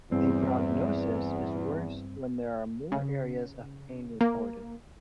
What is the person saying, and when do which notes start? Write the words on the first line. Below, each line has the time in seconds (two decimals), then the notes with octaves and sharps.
The prognosis is worse when there are more areas of pain reported.
0.12 E2 G2 C4
2.92 C#3
4.21 A#3